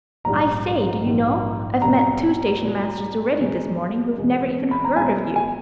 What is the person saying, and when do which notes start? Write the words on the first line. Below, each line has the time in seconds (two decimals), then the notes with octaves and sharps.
I say, do you know, I've met two station-masters already this morning who've never even heard of you.
0.25 A#1 G#2 G3 A#5
1.04 A#1 G#2 G3
1.82 B1 B2 G3 A#5
2.61 B1 B2 G3
3.39 E2 B2 G#3
4.18 E2 B2 G#3
4.71 B5
4.85 A#5
4.96 B1 B2 G#3 G#5
5.36 G#5